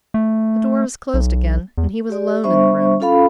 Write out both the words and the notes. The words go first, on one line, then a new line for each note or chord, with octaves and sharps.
The door was closed again, and he was alone in the room.
A3
B1
E2
G4 D5
G3 B3 D4 C5 E5 C#6
C#4 F4 A4 F5 B5